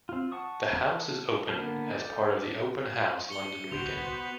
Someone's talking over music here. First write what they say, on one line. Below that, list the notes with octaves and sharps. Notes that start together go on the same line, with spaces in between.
The house is open as part of the Open House London weekend.
C4 F4
F#5 A5 C#6 D#6
D3 A#3 B3 A#4 A5
A4 D5 D#5 G5
C#6 C#7 G7
D1 C2 D3 B3 F#4 B4 C5 F7